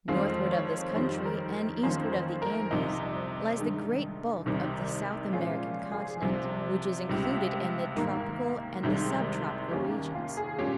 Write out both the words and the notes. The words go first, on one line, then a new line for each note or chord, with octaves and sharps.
Northward of this country, and eastward of the Andes, lies the great bulk of the South American continent, which is included in the tropical and the subtropical regions.
F2 D#3 G#3 C4 F5
C#5
F2 D#3 G3 C5
A#4
F2 D#3 A#3 C#4 C5
C5
A#4
C2 C3 F3 D#4
G2 D#3 G#3
C2 C3 D#3
A#2 F3 G#3 C#4 F4
G#4
C2 C3 F3
C#2 C3 G3
G#2 D#3 A#3 A#4
C2 C3 D#3 G#3
D#2 D#3 A#3 C#4 G4
F4
G#4
A#2 G#3 C#4 G4